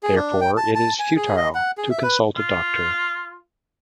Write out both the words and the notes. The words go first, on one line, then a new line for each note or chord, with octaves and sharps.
Therefore it is futile to consult a doctor.
G#4
D4
G5
A5
A5
G#5
G#4
D#5
F#5
G#4
E5
B4
F4